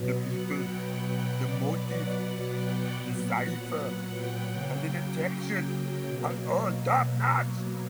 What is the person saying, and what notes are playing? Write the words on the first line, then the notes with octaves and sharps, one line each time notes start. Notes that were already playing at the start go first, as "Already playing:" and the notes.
The people, the motive, the cipher, and the detection are all topnotch.
Already playing: B2 F#3 B3
F#5
G5
F#5
B2 F#3 B3 D5
F#5
D5
G5
A#2 F#3 B3
F#5
F#5
G5
C#3 F#3 A#3 G5
B2 F#3 A#3